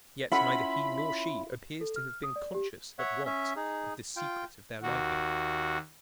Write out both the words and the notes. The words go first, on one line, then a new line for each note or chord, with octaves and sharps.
Yet neither he nor she appears to have been conscious at once of the secret of their liking.
C#4 E4 F4 A4 F#5 B5
A4
F6
D#6
D5
G4
C#5 E5 F#5
C#4 E5
D#4 G#4
F4 G5
D#2 F#4